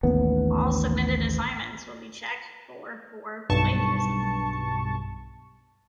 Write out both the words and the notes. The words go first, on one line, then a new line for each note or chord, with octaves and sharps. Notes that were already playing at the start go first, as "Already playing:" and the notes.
All submitted assignments will be checked for for plagiarism.
A1 D#2 B3
B1 G2 A5 C#6